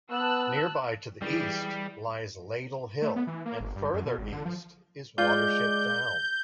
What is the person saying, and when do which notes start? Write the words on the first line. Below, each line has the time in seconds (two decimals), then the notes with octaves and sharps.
Nearby to the east lies Ladle Hill and further east is Watership Down.
0.11 B3 A5 E6 F#6
1.21 E3 G3 G4 G#4
3.02 A3
3.16 B3
3.27 E3
3.45 A#3
3.60 G1
3.76 G2
3.94 F#2
4.06 B2
4.18 G#1
4.32 D3
4.45 F3
5.18 G#3 F4 D5 G6